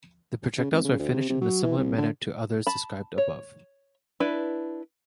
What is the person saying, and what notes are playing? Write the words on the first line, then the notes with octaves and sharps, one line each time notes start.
The projectiles were finished in a similar manner to others described above.
C#3
G#1
C#3
D2
C3
C3
F#3
E3
C2
D3
A5 B5
C#5
D4 E4 B4